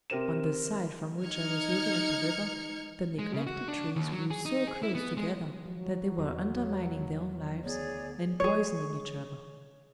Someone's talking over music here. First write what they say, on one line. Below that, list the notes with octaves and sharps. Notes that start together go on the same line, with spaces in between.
On the side from which I was looking at the river, the neglected trees grew so close together that they were undermining their own lives, and poisoning each other.
C3 G4 A#4 C5 D#7 E7
D#4 F6 G#6 C#7
G#3
C#3
F#4
D4
D#2
F#3
G#4
D#4
G#4
E4
B3
G#3
F3 F#3
E2
D2 B3 G#4 C#5 D5
G#4 C#5